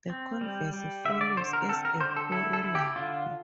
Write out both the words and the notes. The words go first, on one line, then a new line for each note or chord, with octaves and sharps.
The converse follows as a corollary.
C4
G3
G3
D3 E5
D5
D3 C5
A#4
C4 A4
A#4
D3 C5
A4
E4 A4
A4
E4
G4
D3 F4